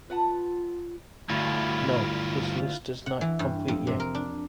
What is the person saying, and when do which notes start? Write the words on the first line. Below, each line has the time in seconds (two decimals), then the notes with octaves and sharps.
Note: This list is not complete yet.
0.10 F4 B4 F#5 A5
1.30 D2 G2 F#3 E4 F4
3.06 F#5
3.21 E3
3.39 G2
3.68 F2
3.87 C3
4.00 A#4
4.15 D4